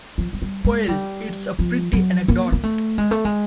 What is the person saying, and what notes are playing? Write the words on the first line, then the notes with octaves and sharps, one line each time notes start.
Well, it's a pretty anecdote.
F3
G#3
G3
G#3
G3
F3
F#3
A#3
A#3
A3
G#3
A3
G#3